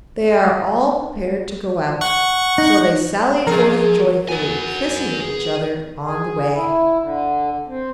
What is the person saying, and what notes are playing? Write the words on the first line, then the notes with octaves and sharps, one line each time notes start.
They are all prepared to go out; so they sally forth joyfully, kissing each other on the way.
F#5 C#6
D#4
F3 G#3 G#4 A#4
B3 F#4 G#5
G#4
G#4
E4
D3
C4